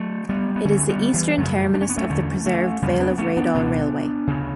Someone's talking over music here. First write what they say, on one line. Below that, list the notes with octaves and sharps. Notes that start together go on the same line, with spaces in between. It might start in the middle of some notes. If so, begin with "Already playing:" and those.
It is the eastern terminus of the preserved Vale of Rheidol Railway.
Already playing: F#3 A3
G3 B3
B3
D2 D3 A3 C#4
G3 B3
E3 G3
F#2 C#3 F#3 A3
D4
C#4
B3
A3 C#4
E2 D3 A3 C#4
A3 C#4
E2 C#3 G3 B3
B3 D4
B3
A3 C#4
B3 D4
C#2 B2 B3 D4
D2 C#3